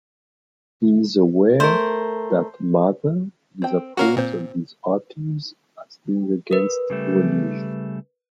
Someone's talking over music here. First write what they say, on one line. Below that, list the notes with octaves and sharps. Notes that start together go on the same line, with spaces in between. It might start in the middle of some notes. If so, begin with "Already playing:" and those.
He is aware that "Mother" disapproves of these authors as being against religion.
A3 A#4 C5
C4 G5
A#3 C#4 F#4 A#4 F5
A#2 C4 C5
A#4 B4
C#3 G3 A3